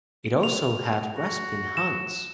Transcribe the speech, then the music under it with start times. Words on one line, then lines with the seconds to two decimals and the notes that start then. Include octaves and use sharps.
It also had grasping hands.
0.43 F7
1.16 F#4
1.77 E7